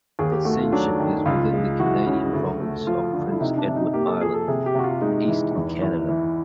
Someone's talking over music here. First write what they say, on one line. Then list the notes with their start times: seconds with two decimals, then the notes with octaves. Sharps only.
Ascension is within the Canadian province of Prince Edward Island, in Eastern Canada.
0.19 D#2 G#4
0.32 G4
0.45 A3 F#4
0.59 F4
0.72 F#3 D4
1.00 D#3
1.25 C#2 F4
1.53 G#3
1.79 E3 F#4
2.06 C#3
2.33 D2
2.60 A3
2.87 F3 F4
3.13 D3
3.31 E4
3.40 C3 D#4
3.58 D4
3.68 C3
3.76 D#4
3.94 A#3 G4
4.07 A4
4.21 F3 G#4
4.34 A4
4.48 C3 G#4
4.66 G4
4.75 C3 F#4
4.84 F4
5.01 G#3 D#4
5.28 E3
5.55 E2
5.82 E2
6.08 E3